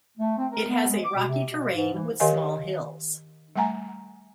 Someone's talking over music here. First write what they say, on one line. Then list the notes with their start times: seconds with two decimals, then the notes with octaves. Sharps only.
It has a rocky terrain with small hills.
0.18 A3
0.38 C4
0.52 A#4
0.68 B3
0.89 G#3
1.04 D6
1.16 B2
1.28 C3
1.49 B2
1.73 G#2
1.94 E3
2.20 D#3 G4 A#4 D#5 F5 G#5
3.56 G3 A3 F#5 G#5 A#5